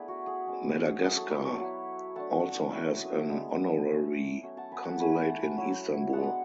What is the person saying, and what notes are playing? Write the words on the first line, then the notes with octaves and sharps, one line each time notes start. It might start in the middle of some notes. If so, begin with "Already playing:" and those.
Madagascar also has an honorary consulate in Istanbul.
Already playing: A3 B3 D4 E4 G#4 B4 D5
F#4
G#4
G#3 C#4 E4
F#3 B3 E4 G#4 B4
A4 C#5
B4 D5
C#5 E5
F#3 B3 E4
A3 D4 F#5 A5
F#3 C#4 E4
G#3 B3 D4
A3 C#4 E4
F#3 A3 C#4
F#5 A5
G#5 B5
F#5 A5
A3 C#4 E4 G#5 B5
G#5 B5
F#5 A5
G#5 B5
F#3 C#4 E4
G#3 B3 D4 F#5 A5